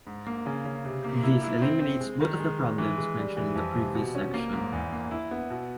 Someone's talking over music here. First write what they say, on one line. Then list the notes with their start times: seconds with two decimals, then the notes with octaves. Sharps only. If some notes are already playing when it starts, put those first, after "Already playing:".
This eliminates both of the problems mentioned in the previous section.
0.07 G#2
0.27 A#3
0.46 C#3
0.65 C#3
0.85 C3
1.04 A#3
1.23 E4
1.43 E4
1.62 C4
1.81 C4
2.01 G#3
2.21 D#3
2.40 G#3
2.59 G#3
2.78 E3
2.98 G#3
3.18 G3
3.37 E3
3.56 F2
3.75 C3
3.95 B2
4.15 C#4
4.34 A#3
4.53 G#2
4.73 E2
4.92 A#3
5.11 E4
5.31 B3
5.50 B2